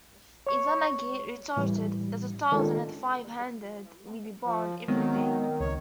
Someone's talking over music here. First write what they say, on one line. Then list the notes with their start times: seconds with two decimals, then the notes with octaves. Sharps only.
Izanagi retorted that a thousand and five hundred will be born every day.
0.47 C#5 C#6
1.57 A2 E3 G3
2.52 D#3 G#3 C#4 D4 F4 A4
4.46 F3
4.88 D#3 F#3 G#3 B3 C4
5.60 C#2 C#5